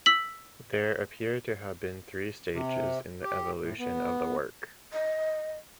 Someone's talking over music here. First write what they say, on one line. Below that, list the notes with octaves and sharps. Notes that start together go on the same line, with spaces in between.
There appear to have been three stages in the evolution of the work.
E6 B6 F#7
C3
G4
A2
B3
D#5